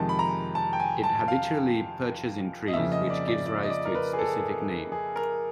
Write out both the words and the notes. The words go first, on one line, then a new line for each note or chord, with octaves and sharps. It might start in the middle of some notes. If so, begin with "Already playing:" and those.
It habitually perches in trees, which gives rise to its specific name.
Already playing: F2 C3 D#3 G#3 A5
B5
A#5
A5
G5
G#5
A5
F5
D#5
F2 C#3 F3 A#3 E5
D#5
D5
D5
D5
D#5
D5
A#4
B4
G#4
A4
G#4
A#4